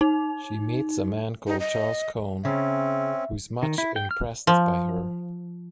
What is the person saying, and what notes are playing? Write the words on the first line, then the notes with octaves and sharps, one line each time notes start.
She meets a man called Charles Cohn who is much impressed by her.
D#4
D#4
D#5
C#3 C4 C#4 E5
D#3
E4
G5
F6
F3